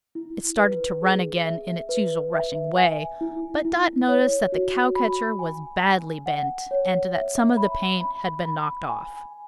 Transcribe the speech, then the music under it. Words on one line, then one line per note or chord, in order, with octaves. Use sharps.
It started to run again in its usual rushing way, but Dot noticed that the cow-catcher was badly bent and that some of the paint had been knocked off.
E4
B4
G#4
E5
B4
E5
G#5
E4
E4
C#5
F#4
B5
G#5
G#5
F#5
C#5
E5
B5
B5
B5
G#5